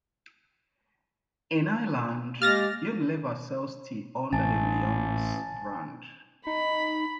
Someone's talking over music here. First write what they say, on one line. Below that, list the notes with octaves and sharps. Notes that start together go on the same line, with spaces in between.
In Ireland, Unilever sells tea under the Lyons brand.
G#3 A#3 G4 F6 A6 A#6
A1 G#5 A5 A6
D#4 B5